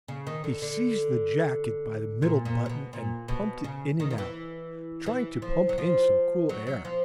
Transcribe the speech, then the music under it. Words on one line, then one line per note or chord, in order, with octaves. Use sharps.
He seized the jacket by the middle button and pumped it in and out, trying to pump in some cool air.
C#3
D#3
D3
D3
A#2
A#2
A#2
B2
A#2
B2
C#3
D#3
D#3
E3
E3
F3
F#3
F3
F#3
F#3
F3